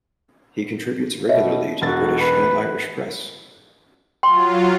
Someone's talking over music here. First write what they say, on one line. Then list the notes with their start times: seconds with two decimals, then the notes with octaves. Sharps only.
He contributes regularly to the British and Irish press.
1.29 B2 C#5 D#5 E5
1.82 E1 F#4 A6
2.20 B4
4.23 F#3 F4 G5 C6